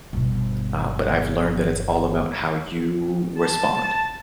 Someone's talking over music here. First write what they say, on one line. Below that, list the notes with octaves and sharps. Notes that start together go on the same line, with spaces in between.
uh, but I've learned that it's all about how you respond.
G1 B2
A5